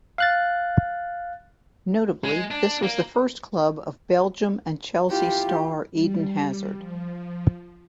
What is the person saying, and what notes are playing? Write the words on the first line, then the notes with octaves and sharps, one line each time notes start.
Notably, this was the first club of Belgium and Chelsea star Eden Hazard.
F5 F#6 A6
G#3
D4
A#3
E4 F4 G4
G3
F3